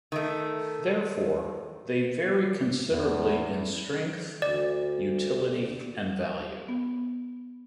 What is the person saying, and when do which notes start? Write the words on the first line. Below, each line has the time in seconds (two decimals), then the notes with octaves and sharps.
Therefore, they vary considerably in strength, utility, and value.
0.12 D#3 A3
2.91 E2
4.42 D2 D5
6.68 B3